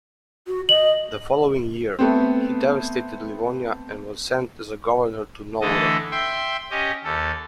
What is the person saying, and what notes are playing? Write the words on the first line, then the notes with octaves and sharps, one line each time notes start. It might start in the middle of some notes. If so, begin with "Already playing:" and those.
The following year, he devastated Livonia and was sent as a governor to Novgorod.
F#4
D#5 F#7
A3 B3 C4
D3 E3 A3 A4 D#5
E5 G5 C6
C#4 G4 D#5
D#2 A4